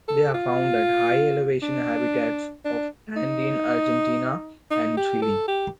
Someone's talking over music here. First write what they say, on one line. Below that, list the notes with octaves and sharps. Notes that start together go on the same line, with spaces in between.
They are found at high elevation habitats of Andean Argentina and Chile.
A4
F4
D4
D4
D#4
D#4
G4
A4
G4